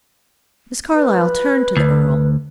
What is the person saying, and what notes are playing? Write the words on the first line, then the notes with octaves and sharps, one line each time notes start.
Miss Carlyle turned to the earl.
B4
D2